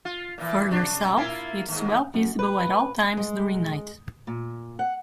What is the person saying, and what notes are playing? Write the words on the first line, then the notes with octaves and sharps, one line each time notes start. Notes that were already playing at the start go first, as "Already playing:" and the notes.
Further south, it is well visible at all times during night.
F4
A#2 E3
C3 D4
A#3 E4 F4
D#2 G#2
F#2
B4
G#3
A#2
F#5